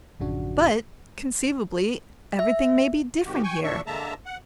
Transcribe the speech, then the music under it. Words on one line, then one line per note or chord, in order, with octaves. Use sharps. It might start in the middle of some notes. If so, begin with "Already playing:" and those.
But, conceivably, everything may be different here.
A1 F#2 C#3 F3 D4 F#4
E5
G#2 C3 D#3 F#4 G4
G5 G#5 C#6
E2 A#2 D4 E5 C#6
D3 G#3 A#3 E5 A5 A#5
F#5